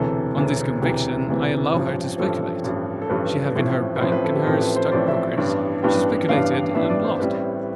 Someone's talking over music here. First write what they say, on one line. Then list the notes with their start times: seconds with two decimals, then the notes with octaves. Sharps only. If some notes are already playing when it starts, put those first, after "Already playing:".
On this conviction I allow her to speculate, she having her bank and her stockbroker; she speculated and lost.
Already playing: E1 D2 C3 E3 A4
0.37 E1 D2 C3 E3
0.82 E1 D2 C3 E3 G4
1.27 E1 D2 C3 E3
1.72 A1 G2 F3
2.18 A1 G2 F3 A4
2.64 A1 G2 F3
3.02 A4
3.10 A1 G2 F3 B4
3.55 A1 A2 F3 C4
3.96 B4
4.01 A1 A2 F3 C4 C5
4.12 B4
4.24 A4
4.35 G4
4.47 A1 A2 F3 C4 A4
4.62 B4
4.76 C5
4.92 A1 A2 F3 C4 D5
5.08 E5
5.37 A1 G2 E3 B3 D4
5.83 A1 G2 E3 B3 D4 G5
6.29 A1 G2 E3 B3 D4 F5
6.74 A1 G2 E3 B3 D4 E5
6.90 D5
7.05 C5
7.20 A1 A2 G3 C4 B4